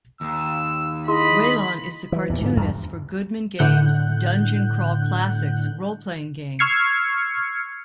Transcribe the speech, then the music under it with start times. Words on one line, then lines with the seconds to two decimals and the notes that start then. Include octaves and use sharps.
Whelon is the cartoonist for Goodman Game's 'Dungeon Crawl Classics' Role Playing Game.
0.21 D#2 E6
1.08 E4 G#4 D#5 B5 C6
2.12 E3
2.30 E2 A#2
2.41 G#2 D3 F3
2.57 E2 G2
3.59 A2 D3 F#5 F#6 G6
6.59 C#6 E6 F6 G#6 C7 C#7